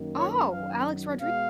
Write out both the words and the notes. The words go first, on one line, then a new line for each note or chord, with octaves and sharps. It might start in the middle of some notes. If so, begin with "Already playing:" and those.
Oh, Alex Rodri
Already playing: F#2 D#3 A#3
C#5
F#2 D#3 F#3 F5
B2 G#3 B3 F5